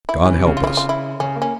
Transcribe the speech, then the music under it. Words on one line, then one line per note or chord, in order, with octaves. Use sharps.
God help us!
E4
E3 C#4
C3
C#3
F4
E4
F4
F4
E4
C#3 C#4
A#3
C#4